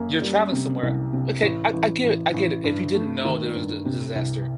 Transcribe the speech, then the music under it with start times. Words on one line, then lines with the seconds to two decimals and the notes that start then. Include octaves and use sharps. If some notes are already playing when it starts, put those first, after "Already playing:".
you're traveling somewhere okay, I I get it I get it. If you didn't know there was d disaster.
Already playing: F#2 A#3
0.22 G3
0.52 C3
0.83 C2
1.13 C3
1.42 A1
1.73 A1
2.04 A1
2.34 A1
2.64 G2
2.95 A3
3.25 D#3
3.56 G2
3.85 C3
4.16 C2